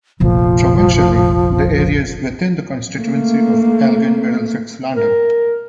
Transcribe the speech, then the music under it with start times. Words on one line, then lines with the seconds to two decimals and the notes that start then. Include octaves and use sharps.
Provincially, the area is within the constituency of Elgin-Middlesex-London.
0.20 F1 A#1 F3
2.97 A3 A#3
4.96 A#4